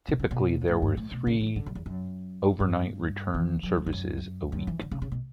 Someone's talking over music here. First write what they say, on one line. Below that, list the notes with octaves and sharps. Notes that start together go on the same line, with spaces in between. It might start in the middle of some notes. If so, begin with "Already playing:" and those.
Typically there were three overnight return services a week.
B2
C#3
B2
A2
G2
A2
B2
C#3
E3
D3
F#2
E2
F#2
G2
E3
F#3
E3
E2
F#2
F#2
E3
D3
C#3
C#3
B2